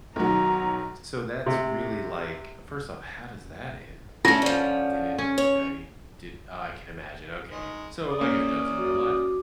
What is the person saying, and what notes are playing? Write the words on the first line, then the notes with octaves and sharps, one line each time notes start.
So that's really like First off, how does that end? Like, did it di I mean, did Oh, I can imagine, okay. So, like it does in real life.
B1 D#3 F#3 A#5
C3
A3 C#4 D4 F4
D3 F3
C#4
C#5
D#3 G#3
D5 D#6
A#3 C#4
F#4 D6